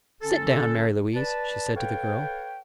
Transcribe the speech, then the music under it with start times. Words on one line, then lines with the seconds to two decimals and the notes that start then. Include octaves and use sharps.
"Sit down, Mary Louise," she said to the girl.
0.22 D3 C#4 A4
1.15 B4 D5 A5
1.75 A4 B4 C#5 F5 G5